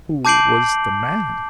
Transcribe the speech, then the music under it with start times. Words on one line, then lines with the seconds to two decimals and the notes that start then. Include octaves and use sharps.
"Who was the man?"
0.25 A5 D6 G6 C7 D7 F#7